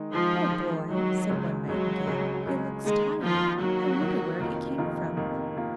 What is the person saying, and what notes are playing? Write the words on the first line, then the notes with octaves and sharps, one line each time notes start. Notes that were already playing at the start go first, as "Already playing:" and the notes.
"Poor boy!" said one nightingale, "he looks tired; I wonder where he came from."
Already playing: D#3 G#3 D#4
D#3 F3 G#3 D#4
D#3 G#3 D#4
D#3 F#3 G#3 D#4
C#2 C#3 G#3
C#2 C#3 F#3 G#3
C#2 C#3 G#3
C#2 C#3 G#3
D#3 G#3 A#3 D#4
D#3 F3 A#3 D#4 F4
D#3 F#3 A#3 D#4 F#4
D#3 A#3 D#4
F1 F2 D#3 A#3 F4
F1 F2 D#3 A#3 F4
F1 F2 D#3 A#3 F4
D#3 A#3 F4